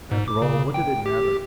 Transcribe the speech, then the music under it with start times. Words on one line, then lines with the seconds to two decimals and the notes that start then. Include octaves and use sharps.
After all, what did it matter?
0.11 G#2
0.28 D6
0.42 C#3
0.74 G5
1.06 G4